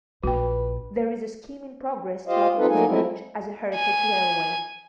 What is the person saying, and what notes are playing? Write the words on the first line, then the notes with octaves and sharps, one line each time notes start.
There is a scheme in progress to open this branch as a heritage railway.
A#1 F#4 B4 G5
F4 G4 C5 D#5 F5
C4 D#4 F4 A4 B4
F#3 A3 A#3 D#4 G#5
F3 G#3 A3 C4 E4
G#5